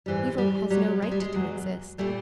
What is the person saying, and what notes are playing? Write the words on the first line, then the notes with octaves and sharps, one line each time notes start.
Evil has no right to exist.
G#2 E3 G3
G3
B2 F#3 G3
G#3
G3
G#3
E2 B2 F#3
A#2 G3 A3